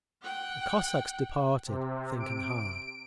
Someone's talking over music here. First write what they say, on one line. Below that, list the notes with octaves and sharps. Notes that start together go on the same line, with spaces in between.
The Cossacks departed, thinking hard.
F#5 G5
C3
D7